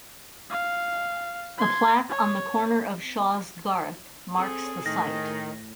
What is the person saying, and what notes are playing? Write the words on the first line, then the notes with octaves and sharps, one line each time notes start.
A plaque on the corner of Shaws Garth marks the site.
F5
C6 G#6
C#5
C4 G#4 A4
A2 D#3 G#4 A#6